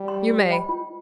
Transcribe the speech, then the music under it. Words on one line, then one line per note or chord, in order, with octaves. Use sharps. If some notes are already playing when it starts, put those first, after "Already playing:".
"You may."
Already playing: G3
G5 C6
F4
C5 D#5 G5 B5
F4